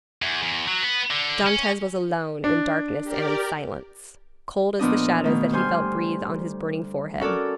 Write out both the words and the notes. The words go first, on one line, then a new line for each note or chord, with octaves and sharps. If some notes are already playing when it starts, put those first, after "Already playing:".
Dantes was alone in darkness and in silence--cold as the shadows that he felt breathe on his burning forehead.
E2
E2
F#3
B3
D3
C#4
D4
G4 A#4 D5
A#2 F3 B3 D4 D#5
B2 D#3 A3
D2 G3 C5 G#5 C6 F6
C#4 F#4 A4 A#4 D5